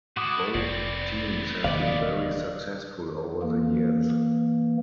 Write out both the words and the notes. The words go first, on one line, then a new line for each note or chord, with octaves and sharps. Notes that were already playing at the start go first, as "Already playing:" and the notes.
Both teams have been very successful over the years.
A2 E4 F#4 D6 D#6
F1 B3 C4 D5
E1 D#2 C#3 D5 D#5 F5
E3 A#3